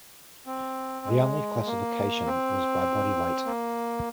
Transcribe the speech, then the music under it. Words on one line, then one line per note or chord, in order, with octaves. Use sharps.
The only classification was by body weight.
C4
G#3
A#3
C4
A#3